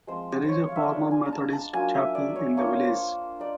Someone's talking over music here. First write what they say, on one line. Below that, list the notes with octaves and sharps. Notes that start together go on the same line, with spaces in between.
There is a former Methodist chapel in the village.
F3 G#3 C4 C5
C5 C#5
F5
E5
D#5
G#3 B3 D4 F4 D5
G#5
A#5
A5
A5
F#3 A#3 D4 F4 G#5
E5
D5
C#5
A#3 D4 F4 C#5
C5
D#4 D5